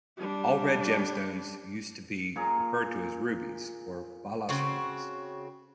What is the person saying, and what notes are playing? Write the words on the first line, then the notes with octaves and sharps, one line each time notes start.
All red gemstones used to be referred to as rubies or "balas rubies".
G3 D4
A#2 G#4 A#5
C#3 C4 F#4